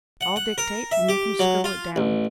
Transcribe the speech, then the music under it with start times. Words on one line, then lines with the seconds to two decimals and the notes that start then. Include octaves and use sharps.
I’ll dictate, and you can scribble it down.
0.21 F#5
0.36 F#5
0.58 A#4
0.92 E5
1.09 G4
1.39 F#3
1.64 F4
1.96 A1